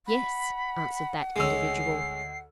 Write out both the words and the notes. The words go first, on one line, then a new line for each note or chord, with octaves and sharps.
"Yes," answered that individual.
F#5 B5
D2 G#3 C#4 D#5 E6 C7